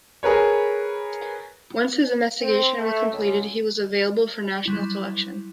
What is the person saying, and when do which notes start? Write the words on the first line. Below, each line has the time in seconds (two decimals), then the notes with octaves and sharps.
Once his investigation was completed he was available for national selection.
0.23 G#4 A#4 B4 C#5
2.42 C4
2.77 A3
3.11 C#2
4.66 F#3 G3 E4